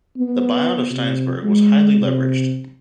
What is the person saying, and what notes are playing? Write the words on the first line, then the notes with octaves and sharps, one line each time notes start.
The buyout of Steinberg's was highly leveraged.
B3
C3
G#3
C3